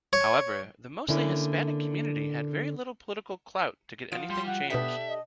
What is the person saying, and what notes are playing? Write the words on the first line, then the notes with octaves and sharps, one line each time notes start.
However, the mostly Hispanic community had very little political clout to get anything changed.
C#5
D3 A#3 C#4 D4 E4
F3 F4 F#4 D7
G3 C6
F#5
B2 B3 D4 G4 A4 E5 B6
D#5